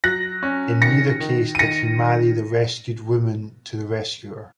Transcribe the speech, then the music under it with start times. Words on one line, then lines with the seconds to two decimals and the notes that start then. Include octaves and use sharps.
In neither case did he marry the rescued woman to the rescuer.
0.04 F#3 F#6 A#6
0.43 C#4
0.82 D#3 A#6 C#7
1.20 D#3
1.55 D#7
1.59 D#3 A#6 C#7
1.98 D#3